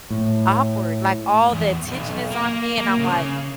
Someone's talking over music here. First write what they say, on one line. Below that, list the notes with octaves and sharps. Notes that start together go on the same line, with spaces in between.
awkward, like, all the attention is on me, and I'm, like
A2
E2 G2
B1
A#3
A#3
C#3